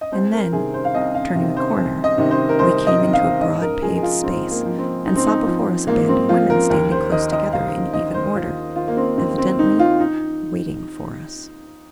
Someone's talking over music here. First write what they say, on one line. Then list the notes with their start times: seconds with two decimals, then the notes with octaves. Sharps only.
And then, turning a corner, we came into a broad paved space and saw before us a band of women standing close together in even order, evidently waiting for us.
0.01 D#5
0.12 C2 C5
0.33 A#4
0.53 C3 D#3 G#4
0.74 C5
0.85 F5
0.95 C2 D#5
1.15 F5
1.35 C3 D#3
1.57 C5
1.77 C2
2.04 D#5
2.18 C3 D#3
2.31 C5
2.49 A#4
2.59 C2 C5
2.87 D#5
3.00 C3 D#3
3.13 F5
3.41 G#2 D#5
3.62 A#4
3.82 F3 G#4
3.97 G#4
4.03 F4
4.23 G#2 C4
4.51 A#3
4.65 F3
4.78 C4
5.06 G#2 D#4
5.16 C4
5.26 D#4
5.46 F3
5.88 G#2 A#3
6.09 C4
6.29 F3 F4
6.50 A#4
6.70 D#2 A#4
6.92 C5
7.12 D#3 D#5
7.32 D#5
7.53 D#2 F5
7.93 D#3 D#5
8.14 C5
8.35 D#2 F4
8.76 D#3 F4
8.88 A#3
8.97 C4
9.18 D#2 C4
9.38 C4
9.59 D#3 D#4
9.79 F4
10.00 D#4